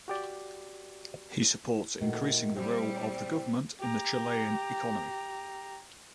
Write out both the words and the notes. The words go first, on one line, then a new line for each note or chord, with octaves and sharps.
He supports increasing the role of the government in the Chilean economy.
F#4 G4 D5
A#2 D#3 A3 F#4
G3 C4
G4 A#5